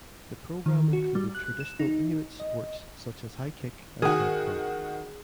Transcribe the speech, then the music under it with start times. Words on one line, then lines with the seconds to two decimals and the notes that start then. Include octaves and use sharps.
The program included traditional Inuit sports such as high kick and head pull.
0.66 D#3
0.93 F#4
1.15 G3
1.35 F#6
1.60 E7
1.79 D#4
2.40 D#5
4.02 D#3 F#4 G#4